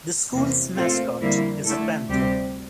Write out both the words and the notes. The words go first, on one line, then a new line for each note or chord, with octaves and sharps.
The school's mascot is a panther.
E2 C3 E3 A#3
A#2 A3 C4 F4 A4
F2 D3 G3 A#3 E4
D3 A3 E4 A4
D2 C3 G3 C4 G4